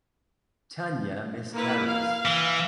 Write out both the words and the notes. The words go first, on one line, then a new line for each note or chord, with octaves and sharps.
Tanya miscarries.
A#3 E4 B4
F5
E3